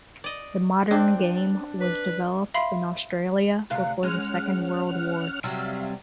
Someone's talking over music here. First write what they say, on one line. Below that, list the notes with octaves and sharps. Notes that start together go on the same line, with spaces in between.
The modern game was developed in Australia before the Second World War.
D5 D#5
C4 D4
B4
E5 F5 B5 C6 C7
D2 C3 F5 F#5
G#3 C#4 F#5 F6
C3 F#3 G3 E5 F5